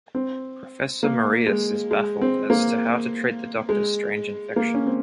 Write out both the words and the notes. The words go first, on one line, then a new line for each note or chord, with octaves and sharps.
Professor Marius is baffled as to how to treat the Doctor's strange infection.
C4
A#3
G#3
G#3
C4
A#3
G#3
A#3
C#4
C4